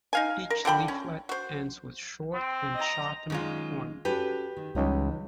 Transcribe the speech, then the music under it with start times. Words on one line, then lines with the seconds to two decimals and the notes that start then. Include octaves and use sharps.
Each leaflet ends with short and sharpened point.
0.13 D#4 F5 G#5
0.50 A#4
0.65 D3 F4 G5 B5
0.88 C#4
1.29 F#4 C5
2.34 C4
2.75 D#5 A#5
3.30 F#2 D#3 G#3 F4 D5
4.05 C#4 F#4 G4 A4 B4
4.57 D#3
4.75 C#2 E3 G3 D#4